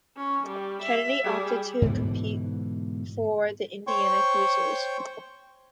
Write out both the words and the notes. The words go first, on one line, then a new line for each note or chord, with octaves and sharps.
Kennedy opted to compete for the Indiana Hoosiers.
C#4
G3
E5
G3 G#4
G#2 B2 D3 E3
C5 C#5 G5 C#6